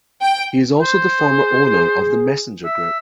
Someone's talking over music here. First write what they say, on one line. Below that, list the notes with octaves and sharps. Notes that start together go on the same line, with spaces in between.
He is also the former owner of the Messenger Group.
G5
C5
G#4
E5